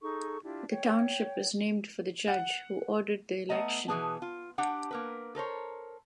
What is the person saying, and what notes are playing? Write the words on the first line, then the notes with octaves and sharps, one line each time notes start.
The township is named for the judge who ordered the election.
D#4 G#4 A4 C#6
D4 E4 F4 G4
C#5 F#5 G5
F#5
A3 B3 D#5 A#5
B2 E3 C4 G#4 B4 A5
F4
D4 G4 F#5 G5
A#3 A#4 B4
A4 A#4 C5 C#5